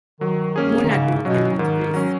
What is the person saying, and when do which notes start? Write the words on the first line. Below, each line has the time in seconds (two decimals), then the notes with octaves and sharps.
Monadnock and Mount Grace.
0.21 D#3 F#3
0.56 A#3 C#4 G#4
0.85 D#3
0.90 G#2 C#3
1.25 B2 F#3 C#4
1.59 G#2 D#3
1.94 F#3 C#4